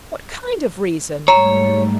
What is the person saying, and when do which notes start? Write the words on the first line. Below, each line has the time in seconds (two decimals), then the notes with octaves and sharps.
'What kind of reason?'
1.28 G#2 G3 A3 C#5 A#5